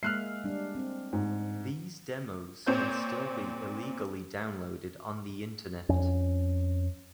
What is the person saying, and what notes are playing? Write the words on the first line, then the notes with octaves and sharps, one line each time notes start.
These demos can still be illegally downloaded on the internet.
G#3 A#3 E5 F6 F#6 C7
G3 D4
C4
G#2
A#2 C4 C#5 G6
F2 C#4